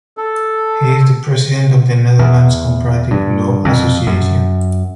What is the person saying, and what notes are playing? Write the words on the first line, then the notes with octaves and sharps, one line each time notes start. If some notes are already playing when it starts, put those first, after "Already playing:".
He is the President of the Netherlands Comparative Law Association.
A4
E2
G2
F2
F#2